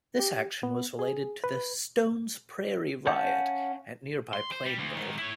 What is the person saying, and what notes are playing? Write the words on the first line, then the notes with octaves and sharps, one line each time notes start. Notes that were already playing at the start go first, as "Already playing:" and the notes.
This action was related to the "Stone's Prairie Riot" at nearby Plainville.
G4
B3
G#4
B4
C#4 F5 F#5 A5 G6
C6
C5
G3
D2
G#2 D#3
E4 C#5